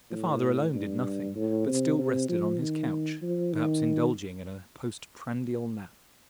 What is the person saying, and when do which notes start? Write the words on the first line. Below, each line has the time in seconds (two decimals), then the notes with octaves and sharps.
The father alone did nothing, but still rested on his couch, perhaps indulging in a postprandial nap.
0.10 A2
0.73 G2
1.36 A2
1.67 C3
1.98 C3
2.29 F3
2.60 D#3
3.22 F3
3.53 D#3